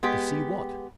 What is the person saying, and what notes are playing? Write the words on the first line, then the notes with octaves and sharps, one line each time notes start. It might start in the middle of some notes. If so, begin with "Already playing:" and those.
To see what?
G#3 B3 G4